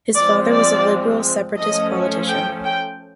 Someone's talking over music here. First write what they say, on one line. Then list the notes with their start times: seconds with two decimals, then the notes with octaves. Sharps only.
His father was a liberal separatist politician.
0.15 F3 G#3 C4 D5
0.50 D5
1.57 F3 A3 C#4 D#5
2.28 G5
2.64 G5